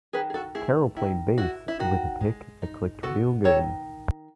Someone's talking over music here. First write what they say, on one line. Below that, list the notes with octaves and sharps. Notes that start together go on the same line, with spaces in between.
Carol played bass with a pick that clicked real good.
D#3 G#4 B4
G#4
F#4 A4
A3 E4 G#4
D#3 E4
E4 F#4
E4
D#3 F#4
G#3
D#4
B3 F#4 A4
D#3 A4 C#5